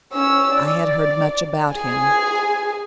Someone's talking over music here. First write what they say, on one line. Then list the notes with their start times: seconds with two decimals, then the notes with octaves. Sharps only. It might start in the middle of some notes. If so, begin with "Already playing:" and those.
I had heard much about him.
0.13 C#4 E6
0.54 D5
1.74 G#4 G#5